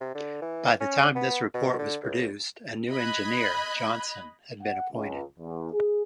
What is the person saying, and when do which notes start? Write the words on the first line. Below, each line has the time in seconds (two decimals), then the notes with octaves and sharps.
By the time this report was produced a new engineer, Johnson, had been appointed.
0.01 C3
0.15 D3
0.42 E3
0.80 C#4
1.15 B3
1.54 B2
1.79 D3
2.03 C#2
2.92 D#5 B5 F#6 G#6
4.62 F#5
4.92 C#2
5.38 E2
5.72 G#4